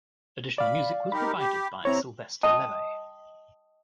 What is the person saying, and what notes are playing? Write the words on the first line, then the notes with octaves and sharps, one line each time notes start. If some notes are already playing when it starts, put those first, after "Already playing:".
Additional music was provided by Sylvester Levay.
D5 F5 B5
D#4 G4 A#4 B5
G4
C3 C4 E4 C#5 A#5
D#5 G5 A5 C6 D#6